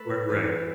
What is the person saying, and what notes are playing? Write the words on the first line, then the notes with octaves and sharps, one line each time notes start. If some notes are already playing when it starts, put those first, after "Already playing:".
R right.
Already playing: A3 A4 B4
E2 B4